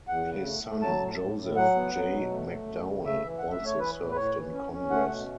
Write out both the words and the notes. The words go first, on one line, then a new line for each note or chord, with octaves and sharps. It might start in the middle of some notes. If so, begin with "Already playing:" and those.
His son Joseph J. McDowell also served in Congress.
E2 F#5
C#3
A3
A3
F#3 A5
A2
A2
A2
F#3 F#5
B3
F#3
B2
A3
A3
F#2
C#3
A3 E5
E3
F#2 F#5
E5
A3 C#5
E3 B4
A2
B4
A2 C#5
E3
C#4
C#4
A3 F#5
B2